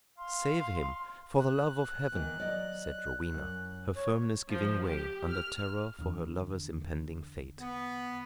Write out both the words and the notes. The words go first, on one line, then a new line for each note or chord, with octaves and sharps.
"Save him, for the love of Heaven!" said Rowena, her firmness giving way under terror for her lover's impending fate.
F5 C6
F#6
E2 D#3
F#3 D5 D#5
F#2
C#5
F3
G4
F6
E2 D3
B3